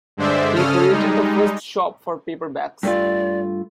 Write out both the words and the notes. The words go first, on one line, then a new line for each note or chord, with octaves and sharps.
He created the first shop for paperbacks.
G2 D3 G#3 C5 D5 E5
C#3 C#4 A4 D#6 F6
G3 G#3 D#4
G2 A3 F4 D5